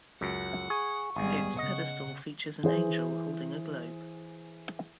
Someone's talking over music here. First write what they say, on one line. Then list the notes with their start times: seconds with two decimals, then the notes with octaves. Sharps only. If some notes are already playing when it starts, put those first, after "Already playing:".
Its pedestal features an angel holding a globe.
0.21 C#2 F#2 F#5
0.70 G#4 C#6
1.16 G#1 G3 B3 G#4
1.58 C#3 D#5 F#5
2.63 E3 G#4 C5